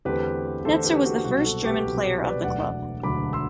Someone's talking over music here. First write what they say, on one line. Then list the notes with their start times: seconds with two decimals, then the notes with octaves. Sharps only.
Netzer was the first german player of the club.
0.05 E2 D3 A3 C4 G4 B4
0.65 E2 D3 A3 C4 A4 C5
0.85 G4 B4
1.05 F#4 A4
1.25 C2 B2 F#3 C4 F#4
1.44 F#4 A4
1.64 G4 B4
1.85 C2 B2 F#3 C4
2.24 B4 D5
2.43 E1 D2 D3 F#3 D5 F#5
3.03 E1 D2 D3 F#3 B5 D6
3.33 C6 E6